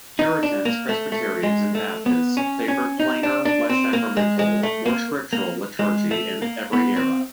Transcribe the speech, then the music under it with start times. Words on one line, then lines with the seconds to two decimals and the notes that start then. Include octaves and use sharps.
Puritans, Presbyterians and Baptists favoured plainer, less sacramental, more scriptural liturgy in every era.
0.19 D#4
0.43 D4
0.65 A#3
0.89 A3
1.12 A3
1.43 G#3
1.75 A3
2.06 B3
2.37 C#4
2.68 C#4
3.00 D#4
3.23 D4
3.45 D4
3.70 C4
3.93 A#3
4.17 G#3
4.39 G#3
4.63 A3
4.86 A#3
5.33 A#3
5.79 G#3
6.11 A3
6.42 A#3
6.73 B3
6.96 C4